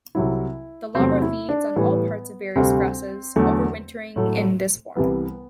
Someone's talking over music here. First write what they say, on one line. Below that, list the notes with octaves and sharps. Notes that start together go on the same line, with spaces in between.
The larva feeds on all parts of various grasses, overwintering in this form.
C2 C3 F#3 E4
E2 C3 F#3 A3 C4
E4
D4
A2 E3 G3 B3
D2 C3 G3 C4
E2 D3 F#3 A3
A2 F#3 A3
C2 C3 E3 G3 B3